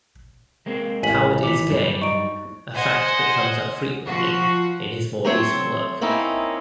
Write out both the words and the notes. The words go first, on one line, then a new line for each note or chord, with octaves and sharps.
Howard is gay, a fact that comes up frequently in his more recent work.
G#3 A#3 C4
A1 G#5 B6 F#7
D#3 E3 D6 B6
G2 F#3 G3
D#4 C#6 D7
C5 D#5 F#5 G#5
F3 F#4
F#3 A3 C4 C5 C#5
A#3 C4 C#4 D#4 E4